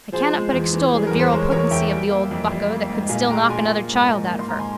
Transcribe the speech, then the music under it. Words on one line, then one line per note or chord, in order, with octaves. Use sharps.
I cannot but extol the virile potency of the old bucko that could still knock another child out of her.
F3 G#4 C5
G#3
E2
E3
G3 G#4
E2 A#4
C5
G#3 A#4 C#5
E2 A#4 C#5
E2 E5 G5
G3
A#3
F2
G3
A#3
G#2
A#2 F5 G#5
G#3 G5 A#5
A#2 G#5 C6
A#3
G#2
G#2
A#3
C6
G#2 A#5
G#5 C6